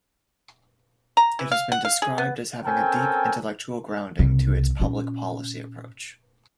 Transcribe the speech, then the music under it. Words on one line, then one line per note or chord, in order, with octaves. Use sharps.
It has been described as having a deep intellectual grounding to its public-policy approach.
A#5
E3
F5
F#5
F5
G#4
B3
C4 C#4 A4 A#4 G5 G#5
C2 C#3
A#2 C#4